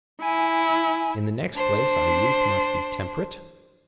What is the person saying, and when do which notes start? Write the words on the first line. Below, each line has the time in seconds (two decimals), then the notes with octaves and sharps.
In the next place our youth must be temperate?
0.22 E4 G#5
1.55 D4 C5